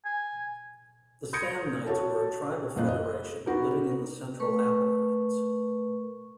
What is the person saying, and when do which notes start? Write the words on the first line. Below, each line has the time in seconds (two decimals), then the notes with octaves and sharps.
The Samnites were a tribal federation living in the central Apennines.
0.05 G#5
1.33 D#6 G6 G#6 A#6 C#7 D7
1.87 F#4 G4 A4 C#5 A5
2.76 F#1 A#2 F4 D#5 F#6
2.88 D#5
3.46 B3 D#4 F#4 G4 A#4
4.40 A3 A#4 B4 C#6